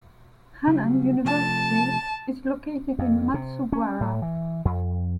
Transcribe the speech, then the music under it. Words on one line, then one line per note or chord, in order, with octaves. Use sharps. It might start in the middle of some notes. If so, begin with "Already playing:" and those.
Hannan University is located in Matsubara.
C#3 F#3 G3
C3 F3 A3 A5
F2
C3
C#4
A2
E3
F2